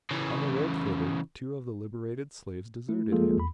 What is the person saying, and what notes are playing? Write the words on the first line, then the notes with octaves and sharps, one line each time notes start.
On the road thither, two of the liberated slaves deserted him.
C#3 E3
A3 E4
F3 G#3 A#3 F4 G#4 A4
E2 B5